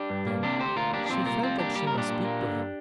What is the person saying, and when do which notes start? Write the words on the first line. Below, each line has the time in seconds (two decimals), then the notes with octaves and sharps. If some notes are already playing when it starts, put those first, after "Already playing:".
Then she felt that she must speak to him.
Already playing: D4 G4
0.10 G2
0.27 A#3
0.43 C3 D4 G4
0.59 D2 G4 C5
0.76 D2 F4 A#4
0.93 A#3 D4 G4
1.06 D4
1.09 A#2 C4 F4
1.25 C2 F4 A#4
1.42 C2 C4 F4
1.58 A#3 D4 G4
1.75 G3 G4
1.87 A#4
1.92 A#2
1.98 D4 G4
2.09 A#2
2.25 A#3
2.41 D3